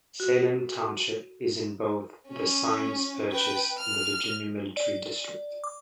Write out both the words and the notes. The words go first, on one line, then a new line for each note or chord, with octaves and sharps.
Salem Township is in both the Symmes Purchase and the Virginia Military District.
F#4
C#4
B4 G5
F6
D5
D6